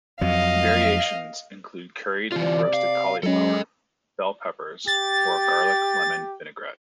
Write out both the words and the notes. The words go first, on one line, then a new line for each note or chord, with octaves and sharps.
Variations include curried and roasted cauliflower, bell peppers, or a garlic lemon vinaigrette.
F2 F#3 D#5 F5
C3 E3 F4 D5
F5
F#3 G#3 C#4 A4 D#5
G4 A6